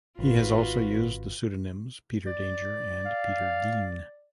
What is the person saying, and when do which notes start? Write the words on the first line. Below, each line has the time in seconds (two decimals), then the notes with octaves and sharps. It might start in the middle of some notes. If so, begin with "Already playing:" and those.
He has also used the pseudonyms Peter Danger and Peter Dean.
0.19 G#1 F4 F#4 B4
2.27 D5
3.06 F5